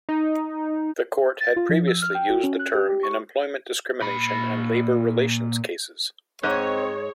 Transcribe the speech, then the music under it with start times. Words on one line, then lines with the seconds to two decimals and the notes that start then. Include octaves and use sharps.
The Court had previously used the term in employment discrimination and labor relations cases.
0.09 D#4
1.40 A6
1.56 F4
1.69 F3
1.87 E6
2.02 F6
2.15 G5
2.30 F#4
2.43 C#4
2.59 F#6
2.74 G4
2.89 G4
3.03 C#6
4.02 A#2 B5
6.43 G#2 C4 G#4 C#5 D#5